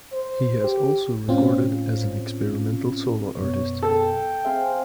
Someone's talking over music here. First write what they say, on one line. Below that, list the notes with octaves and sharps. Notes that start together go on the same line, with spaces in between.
He has also recorded as an experimental solo artist.
C5
G4
A2 C4 C#4 F4
F#2 B2 B3 C#5
A4 G5
C4 G#4 C5 E5 F5 G#5